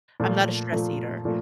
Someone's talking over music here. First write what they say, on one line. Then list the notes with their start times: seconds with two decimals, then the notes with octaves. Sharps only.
I'm not a stress eater.
0.20 A#2 F3 A3
0.72 A#2 F3 A3
1.25 A#2 F3 A3